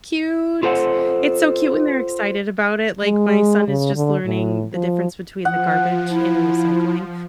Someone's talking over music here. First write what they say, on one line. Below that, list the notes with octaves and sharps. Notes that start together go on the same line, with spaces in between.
Cute, it's so cute when they're excited about it, like, my son is just learning the difference between the garbage and the recycling,
F4 A4 C5 F#5
G#3
C#3
D3
A2
F3
F3 F#5
E4